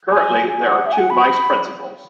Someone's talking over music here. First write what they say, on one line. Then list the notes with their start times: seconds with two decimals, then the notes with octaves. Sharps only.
Currently, there are two Vice Principals.
0.11 G#5
0.48 G#5
0.66 F#5
0.86 E5
0.92 G#5
0.98 F#5
1.10 B5